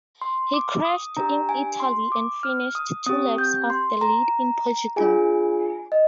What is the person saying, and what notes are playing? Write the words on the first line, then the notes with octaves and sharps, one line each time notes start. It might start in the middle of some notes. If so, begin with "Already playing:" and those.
He crashed in Italy, and finished two laps off the lead in Portugal.
C6
D6
D#6
D4 G4 A#5
G#5
C6
D6
F6
D#6
C4 G4 D#6
G6
C6
A#5
D4 F4 G#4 G#5
D#5